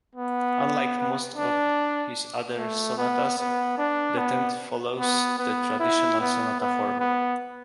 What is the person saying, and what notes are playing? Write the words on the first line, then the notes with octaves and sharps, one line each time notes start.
Unlike most of his other sonatas, the tenth follows the traditional sonata form.
B3
D4
A3
B3
B3
D4
B3
B3
B3
E4
B3
B3
B3